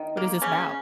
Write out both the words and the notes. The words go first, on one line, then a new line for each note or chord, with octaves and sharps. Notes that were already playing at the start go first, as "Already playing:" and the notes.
what is this about?
Already playing: D#3
A#3
C#3 C#4